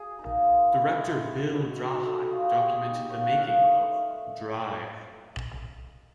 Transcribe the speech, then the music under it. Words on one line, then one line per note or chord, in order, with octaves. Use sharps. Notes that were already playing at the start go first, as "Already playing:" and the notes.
Director Bill Draheim documented the making of "Drive".
Already playing: G#4
A#3 D#4
G#3
B3 E4
G#3
B3 D#4
F#3
B3 D#4
A3 A4
G#4
D4 F4 F#4
G4
G#3 G#4
B3 D#4 G4
A#3 C#5
F#5
D#4 F5
A3